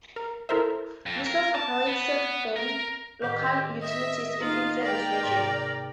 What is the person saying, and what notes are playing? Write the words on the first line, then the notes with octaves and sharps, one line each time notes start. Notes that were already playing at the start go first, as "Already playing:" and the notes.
NiSource operates seven local utilities in its service region.
A#4
E4 A4 A#4 C5 E5
F2
A#4
A5
B3
A#4
A2 D#3 G4 G6
D#5 E5
A#3 D#4 F4 D#5 F5
A#4 B4 D5 G5
G#2 C3